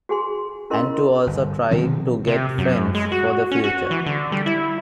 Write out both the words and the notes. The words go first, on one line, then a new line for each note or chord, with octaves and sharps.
And to also try to get friends for the future.
F#4 G#4 G#5 C6
C#4 E4 A#4 D#5 C6
G1
B2 D#3 F3 C4
C3
F#2
G#3
F#4
C#4
F#4
E3
D3
G3
E4